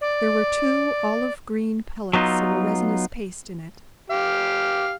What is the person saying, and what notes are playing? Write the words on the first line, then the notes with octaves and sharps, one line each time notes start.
There were two olive-green pellets of a resinous paste in it.
D5
F#3 B3 D#4 F4
G4 F5